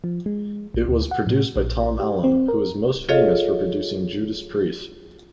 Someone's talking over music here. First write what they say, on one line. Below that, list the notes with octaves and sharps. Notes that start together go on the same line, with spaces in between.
It was produced by Tom Allom, who is most famous for producing Judas Priest.
F3
G#3
A#1
D2
F#5
A2
A#1
G4
C4
A#4
F4 G#4 A4 C#5 D#5 F5